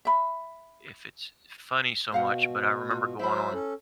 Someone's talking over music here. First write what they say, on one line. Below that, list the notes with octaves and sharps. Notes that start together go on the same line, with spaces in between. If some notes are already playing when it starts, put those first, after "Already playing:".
if it's funny so much, but I remember going on
E5 B5
B2 C5 F5 F#5
F4
F#3 E4 C5 E5 B5
C#4 A4